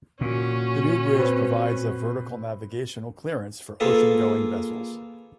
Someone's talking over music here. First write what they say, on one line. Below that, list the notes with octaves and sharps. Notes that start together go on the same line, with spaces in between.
The new bridge provides of vertical navigational clearance for oceangoing vessels.
A#2 C#4 F#4
C4 B4
A#3 F4 G#4 A4 B4